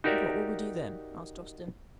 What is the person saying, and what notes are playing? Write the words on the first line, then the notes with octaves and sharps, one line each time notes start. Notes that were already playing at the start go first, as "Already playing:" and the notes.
"And what will we do then?" asked Austin.
D#4 F#4 G4 A#4 D5 E5